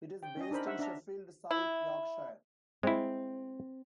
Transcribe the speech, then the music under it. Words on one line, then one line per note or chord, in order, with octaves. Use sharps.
It is based in Sheffield, South Yorkshire.
G5
C#4 D#5
D4 D#4 A#4 C5 B5
E5 F#5
D4 E5 A#5
E4
G#3 C4 E4